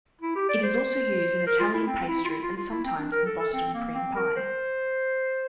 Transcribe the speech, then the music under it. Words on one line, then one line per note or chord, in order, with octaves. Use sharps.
It is also used in Italian pastry and sometimes in Boston cream pie.
E4
G4
D5
C5
A#4
F4
E4
C4
E4
F4
E4
F4
F4
E4
C4
D4
A#4
A4
A4
C4
A#3
C4
A#4
C5